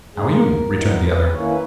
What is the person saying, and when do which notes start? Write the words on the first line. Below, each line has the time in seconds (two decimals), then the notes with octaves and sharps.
"How are you?" returned the other.
0.16 C#3 G#3 D#4 G#4
0.30 A#4
0.75 B2 G3 B3 E4
1.04 B4
1.33 D#3 A#3 C#4 E4 C#5
1.49 B4